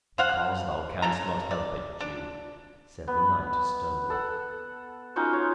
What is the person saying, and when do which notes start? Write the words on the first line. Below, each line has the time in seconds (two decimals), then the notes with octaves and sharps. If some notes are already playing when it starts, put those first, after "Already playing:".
"Because thou canst not help it, Jew," said the knight, sternly.
0.18 C5 F5 F#5
1.02 C#3 A4 A#5
1.51 D5
2.00 D4
3.07 B3
4.10 A4 F#5
5.16 C#4 D#4 F4 F#4
5.33 C#5